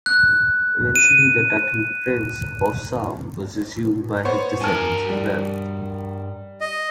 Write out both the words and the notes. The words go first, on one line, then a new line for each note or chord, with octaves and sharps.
Eventually, the title Prince of Salm was assumed by his descendants as well.
F#6
D#7
B3 C5 C#5
G2 A#4 G#5 A5 F6
G3
D#5